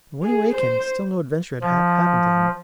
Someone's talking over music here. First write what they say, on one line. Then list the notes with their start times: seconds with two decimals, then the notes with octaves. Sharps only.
But when he awakened still no adventure had happened to him.
0.23 G#4
0.54 C5
1.61 F3